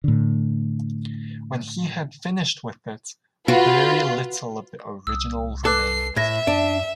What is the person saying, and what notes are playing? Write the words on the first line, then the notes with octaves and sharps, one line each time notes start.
When he had finished with it, very little of the original remained.
A2 D3
F4 F#4 B4
C2 D#6 E6
A4 B4 D6 F#6 C7
A2 E5 G#6 A#6
F#2 D4